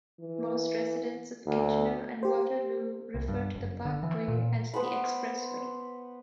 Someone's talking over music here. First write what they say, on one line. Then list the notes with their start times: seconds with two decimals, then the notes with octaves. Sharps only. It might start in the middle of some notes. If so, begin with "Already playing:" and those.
Most residents of Kitchener and Waterloo refer to the parkway as "The Expressway".
0.21 E3
1.46 D2
2.23 G4 C5
3.14 C2
3.28 G2
3.55 F#1
3.85 D3
4.03 E3
4.28 A#2
4.74 B3 C5 F#5 B5